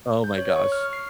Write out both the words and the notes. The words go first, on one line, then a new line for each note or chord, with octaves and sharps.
Oh my gosh,
G6
C#5
C#6
F6
C7